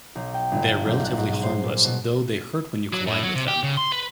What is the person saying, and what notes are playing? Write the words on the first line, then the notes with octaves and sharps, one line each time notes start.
They are relatively harmless, though they hurt when you collide with them.
B1
G5
G1
G6
B1
F#6
G#2
C5
A#2
B2
F#3
A2
F#3
C3
G4
C#3
C6
B4